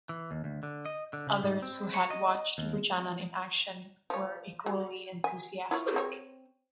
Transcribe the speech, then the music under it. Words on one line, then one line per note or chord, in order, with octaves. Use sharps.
Others who had watched Buchanan in action were equally enthusiastic.
E3
D#2
D2
D3
D#5
D3
C#3
G#2
C4
C#5
D#5
D#2
F3 C#5
F#3
G#5
E4 F4 C#5
C4 C#5